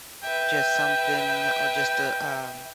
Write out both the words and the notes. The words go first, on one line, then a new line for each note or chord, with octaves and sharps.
just something or just a um,
B4 E5 G5